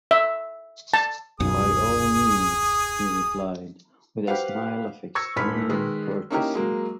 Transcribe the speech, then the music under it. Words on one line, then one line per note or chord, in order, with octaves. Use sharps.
"By all means," he replied, with a smile of extreme courtesy.
E5
A5
D1 B1 F#2 G#4 D#6
G4 B4 C5 F5 F#5
C#6 E6 G#6 A#6 C#7
D#1 G#2 D4 B5 F6 B6
D#3 G#3 B4
A#3 C#4 D#4 E4 G4 A#4
F#3 G#3 A#3